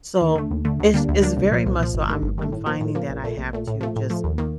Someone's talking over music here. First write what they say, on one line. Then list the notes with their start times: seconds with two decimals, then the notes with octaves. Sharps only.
so it's it's very much so, I'm-I'm finding that I have to just,
0.21 D#2
0.36 D3 A3
0.51 D#2
0.65 D3 A3
0.80 D2
0.94 D3 G3 A#3 D4
1.09 D2
1.22 D3 G3 A#3 D4
1.36 C2
1.52 A#2 F3
1.66 C2
1.80 A#2 F3
1.94 G1
2.09 G2 D#3 A3
2.22 G1
2.38 G2 D#3 A3
2.52 A2
2.66 F3 A#3
2.81 A2
2.95 F3 A#3
3.09 A#1
3.24 A#2 A3
3.37 A#1
3.53 A#2 A3
3.67 A2
3.81 F3 A3
3.96 A2
4.10 F3 A3
4.24 D#2
4.38 D#3 A#3